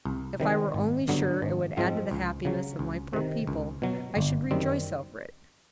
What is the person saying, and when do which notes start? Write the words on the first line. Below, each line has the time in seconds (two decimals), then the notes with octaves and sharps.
If I were only sure it would add to the happiness of my poor people, I should rejoice over it.
0.05 C2
0.40 C3 D#3 G3
0.74 G#1
1.08 G2 D3 F#3 B3
1.42 G#1
1.77 G#2 F3 G#3 C4
2.11 C#2
2.45 C#3 F#3
2.79 C#2
3.13 C3 D#3
3.47 C#2
3.82 B2 F#3
4.17 G1
4.51 F#2 D#3 G3 C4